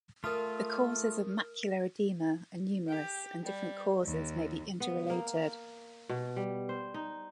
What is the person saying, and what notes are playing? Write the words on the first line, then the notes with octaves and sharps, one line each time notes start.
The causes of macular edema are numerous and different causes may be inter-related.
A3 F4 A#4 D#6 F6
G4
G3
D#2
B3
A#3
B2
G3
C5
D#4